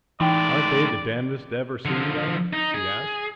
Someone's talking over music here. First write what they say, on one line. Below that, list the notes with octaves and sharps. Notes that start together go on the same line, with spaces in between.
"Aren't they the damnedest ever seen, though?" he asked.
A2 E3 G#3 D#4 D5 G5
D3 F3
D#4
G#4